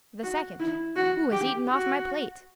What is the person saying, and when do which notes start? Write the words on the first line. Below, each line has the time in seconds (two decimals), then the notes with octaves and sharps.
The second, "Who has eaten off my plate?"
0.23 F#4
0.60 E4
0.96 F#4
1.32 G4
1.68 F#4